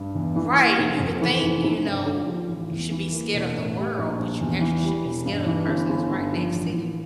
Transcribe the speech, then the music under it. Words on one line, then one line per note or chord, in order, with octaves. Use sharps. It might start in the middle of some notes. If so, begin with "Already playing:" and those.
Right. You would think, you know, you should be scared of the world, but you actually should be scared of the person that's right next to you.
Already playing: G2
E2
E3
A#3
F1
F2
E3
F1
F1
G2
D3
F3
A1
E2
E3
A#3
E1
A2
G3
A#1
A#1
E2
E3
G3
E1
G2
E3
G1
G1
G2
F3
A1
A1